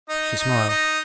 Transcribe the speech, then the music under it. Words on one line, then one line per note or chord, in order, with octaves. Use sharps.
She smiled.
D#4 D#5
D#4 D#5
D#4 D#5